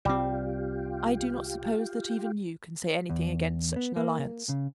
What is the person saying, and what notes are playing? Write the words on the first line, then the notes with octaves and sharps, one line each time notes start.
I do not suppose that even you can say anything against such an alliance.
C2 G3 C4 F4 G4
E2
B3
A#3
C#3